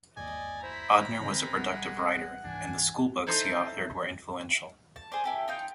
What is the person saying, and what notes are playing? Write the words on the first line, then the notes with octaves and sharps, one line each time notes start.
Odhner was a productive writer, and the schoolbooks he authored were influential.
G1 D#2 D5 D#5 G#5
E4 C5 A#5 B5
D3 D#3 G#3 C4
A#1 G3 F#5
C#2 G#2 E3 D4 G#5
D#4 E4 A4 C5 D#5 A#5
A5
G#4 C5 D5
E4 G4 A4
D#4 F4 G5